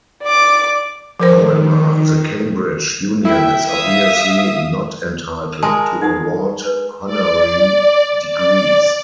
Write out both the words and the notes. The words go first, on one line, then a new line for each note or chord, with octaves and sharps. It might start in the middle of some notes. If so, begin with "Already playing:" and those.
However, the Cambridge Union is obviously not entitled to award honorary degrees.
D5 D6
D#3 F3 A#4 C5
E4 E5 G5
E5 F5 D#6
G#3 A#4 A5
D#4 F#5 D#6
B4
D5
D5